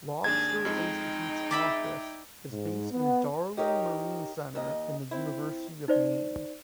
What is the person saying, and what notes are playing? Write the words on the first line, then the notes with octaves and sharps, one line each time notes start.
Lobster Institute’s office is based in Darling Marine Center in the University of Maine.
G#1 D#2 D4 G#4 G#6 A6
F2 G#3 D#4 G5
D5 E5 B5
G#2
B3
D#4 G4 A#4 C#5 D#5
D#2 D#5
C4 E4
D#4 C5 D5